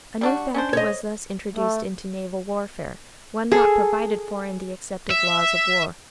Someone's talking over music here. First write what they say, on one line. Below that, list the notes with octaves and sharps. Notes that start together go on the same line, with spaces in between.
A new factor was thus introduced into naval warfare, one not provided for in the accepted laws of war.
G3 D4 F#4
C#4 D4 C5
C#5 D#5
A3
G#4 A4
E5